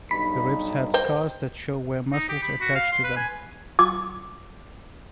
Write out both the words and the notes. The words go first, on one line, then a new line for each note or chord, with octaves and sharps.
The ribs had scars that show where muscles attached to them.
B1 G2 D#4 B5
C5 D#5 G5
D#4
G4
B5
F#4
F5
C6
B4
G#5
D6